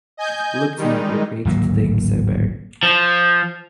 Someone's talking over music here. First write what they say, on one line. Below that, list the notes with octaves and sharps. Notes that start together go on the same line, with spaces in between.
Lupton retreated to Deim Zubeir.
D#5 G#5 G6
D#3 G3 G#3 D#4
D1 G#1 F#3 A#3
F3